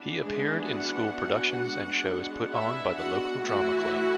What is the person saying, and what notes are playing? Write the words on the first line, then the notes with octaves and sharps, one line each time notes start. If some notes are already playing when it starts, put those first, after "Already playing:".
He appeared in school productions and shows put on by the local drama club.
Already playing: E3 B3 D4
G#3 G#4
F#4 F#5
G#3 B3 D4
E4 E5
F#4 F#5
E3 A3 E4 F#4 F#5